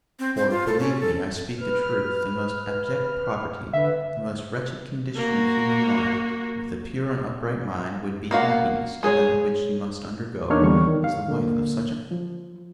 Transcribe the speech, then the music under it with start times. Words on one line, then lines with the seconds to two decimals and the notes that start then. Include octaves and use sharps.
For, believe me, I speak the truth; the most abject poverty, the most wretched condition of human life, with a pure and upright mind, would be happiness to that which you must undergo as the wife of such a man as this!'
0.19 C4
0.37 C5
0.50 F4
0.67 A4
0.80 C#4
1.00 A4
1.58 B4 F6
3.73 D3 B4 E5
5.16 A#3 F#4
8.31 A#3 F#4 F5
9.03 G#3 G#4 C5 C#5
10.50 E2 A#3 D4 D#4 C#5 F6
10.62 E2 D3 G3 C#6
10.87 D#3
11.04 F5
11.28 D3 A#3
12.11 F3